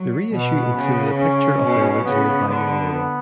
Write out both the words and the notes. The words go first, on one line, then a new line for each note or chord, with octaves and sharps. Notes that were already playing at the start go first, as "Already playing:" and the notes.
The reissue included a picture of the original vinyl label.
Already playing: F#3
B2 B3
C#3
C#4
B2
C#3 B3
D3 B3
B3